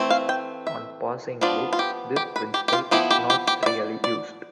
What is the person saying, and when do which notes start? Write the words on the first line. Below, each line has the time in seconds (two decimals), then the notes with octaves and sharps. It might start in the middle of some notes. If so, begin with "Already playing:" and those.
On passing loops this principle is not really used.
Already playing: E3 A3 C4
0.10 F5
0.29 G5
0.67 E5
1.41 F3 B3 D4 F4 D5
1.73 F4
1.79 G4
2.16 G4
2.36 B4
2.54 G4
2.68 G4
2.73 F4
2.91 F3 B3 E4 G4
3.11 G4
3.30 G4
3.47 G4
3.63 E5
3.66 D5
4.04 D5